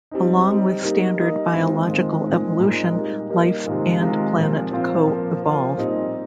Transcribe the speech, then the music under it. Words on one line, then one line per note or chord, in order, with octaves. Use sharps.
Along with standard biological evolution, life and planet co-evolve.
G3 C4 D#4
G3 C4 D#4
G3 A#3 D#4
G3 A#3 D#4
D#3 G#3 C4 F4
D#3 G#3 C4 F4
A#2 G#3 C4 D#4
A#2 G#3 C4 D#4
G3 A#3 D#4
G3 A#3 D#4
C3 D#3 G#3 C4 F4
C3 D#3 G#3 C4 F4
A#2 F3 C4 F4
A#2 F3 C4 F4
F3 A#3 F4
F3 A#3 F4
A#2 G3 C4 D#4